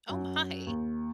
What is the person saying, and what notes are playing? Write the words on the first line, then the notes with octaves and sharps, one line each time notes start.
Oh my!
F#2
D#2